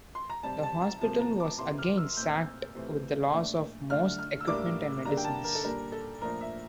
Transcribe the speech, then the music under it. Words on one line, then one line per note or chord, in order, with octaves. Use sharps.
The hospital was again sacked with the loss of most equipment and medicines.
C6
A#5
C3 G3 C4 A5
A5
A#5
C3 F3 A3 C4 A5
A#5
D6
C3 E3 A#3 C6
F6
E6
A#2 A3 C4 G6
C3 E3 A3 C4
A#2 A3 D4
D3 A3 D4 F6
F6
E6
A2 G3 A#3 D4 D6
D3 G3 A#3 D4 A#5
G5
A5
A#4
A4
A#2 G3 D4 A#4
A4
A#2 F3 A3 D4 A#4
E5